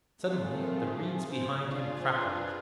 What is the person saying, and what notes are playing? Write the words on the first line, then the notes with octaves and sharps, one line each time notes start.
Suddenly the reeds behind him crackled.
A3 C4 F4 G4
G#4
A#4
G#4
G4
G#4
C5
C#5
D4 F4 G#4 D5
C#5
C5
B4